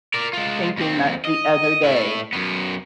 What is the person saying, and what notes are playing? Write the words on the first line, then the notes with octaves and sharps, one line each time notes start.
thinking that the other day.
A#4 D5
G#3 F4
D#2 C4
D#5
A2 E4
F#2 B3